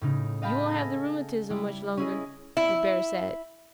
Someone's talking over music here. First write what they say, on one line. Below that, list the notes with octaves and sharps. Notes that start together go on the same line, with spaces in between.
"You won't have the rheumatism much longer," the bear said.
A2 C#3 D#4
D#5 F5 G5 A5 B5
A4 G#5 A#6
G3 E4
C#4 E4 G#4 D#5
E4